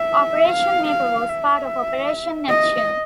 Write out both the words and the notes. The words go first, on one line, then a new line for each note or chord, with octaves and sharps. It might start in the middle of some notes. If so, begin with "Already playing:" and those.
Operation Maple was part of Operation Neptune.
Already playing: E5
F5
F5
E5
D#5